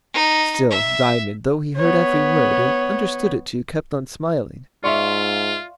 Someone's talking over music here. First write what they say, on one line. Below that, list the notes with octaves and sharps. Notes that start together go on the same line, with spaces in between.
Still Diamond, though he heard every word, and understood it too, kept on smiling.
D#4
E5
B3 C#5
G#2 F4 D5 E5 F5 C6 C#6